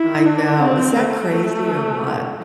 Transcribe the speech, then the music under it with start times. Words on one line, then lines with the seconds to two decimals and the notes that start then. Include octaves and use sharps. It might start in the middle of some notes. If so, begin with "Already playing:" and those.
I know, is that crazy or what?
Already playing: E4
0.25 D4
0.60 C4
0.95 A3